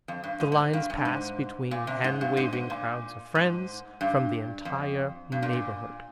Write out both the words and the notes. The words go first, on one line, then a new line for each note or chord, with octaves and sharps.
The lines pass between hand-waving crowds of friends from the entire neighborhood.
F2
G2
G#2
G#2
G2
G2
G#2
A#2
C3
G#2
G2
G#2
G#2
A#2
G#2
G2
F2
G2
A#2
A#2